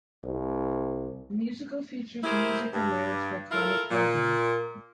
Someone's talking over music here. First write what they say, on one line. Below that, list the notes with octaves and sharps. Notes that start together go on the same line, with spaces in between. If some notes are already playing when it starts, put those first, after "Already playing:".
The musical features music and lyrics by Connie Kaldor.
C2
E4 G4 G#4 A#4 C5
G2
E4 F4 A4 A#4
A#2